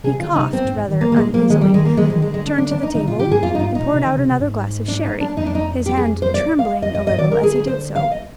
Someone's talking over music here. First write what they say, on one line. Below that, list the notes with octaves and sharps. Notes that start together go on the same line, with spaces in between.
He coughed rather uneasily; turned to the table, and poured out another glass of sherry--his hand trembling a little as he did so.
C3 G#4
D3 F4
C3 D#4
C4
G#2
G#2
D#3
D3 A#3
A#3
A#2 G#3
F3 A#3
D#3 G#3
G3
D#3 G#3
A#3
D#3 G#3
F3
G#3
D#3
D3 G#3
G#3
D4
D4
D4
D#4
D3 D#4
A#2 F4
D3 G4
G#2 G#4
F2 F4
G2 D#4
F4
G#2
D#4
A#2
C3
D3
C3
C3
G#2
D4
D#4
D4
F2 D#4
D4
D#4
G4
G#4
C5
D5
F5
F2 D#5
F2 D#5
G2 D#5
D#3 D5
D3 A#4
G#4
G#4
C5
F5
D#5